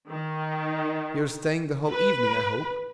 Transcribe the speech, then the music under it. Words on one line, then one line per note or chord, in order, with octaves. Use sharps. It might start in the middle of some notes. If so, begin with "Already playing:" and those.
"You are staying the whole evening, I hope?"
D#3
B4